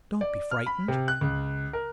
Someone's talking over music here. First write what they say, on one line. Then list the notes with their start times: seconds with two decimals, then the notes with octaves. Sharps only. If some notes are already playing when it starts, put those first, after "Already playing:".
Don't be frightened.'
0.21 D5
0.51 F6
0.66 B5
0.88 C3
1.08 F#6
1.21 C#2
1.73 A#4